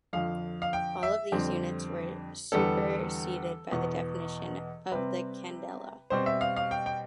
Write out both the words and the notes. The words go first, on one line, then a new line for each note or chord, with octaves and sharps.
All of these units were superseded by the definition of the candela.
F2 D3 F3 F5
F5
G5
E5
F2 D3 G3 C4
E2 D3 G3 B3 A4
E2 B2 B3
C3 G3 C4 B4
B2 G3 C4 C5
E5
F5
F5
G5
G5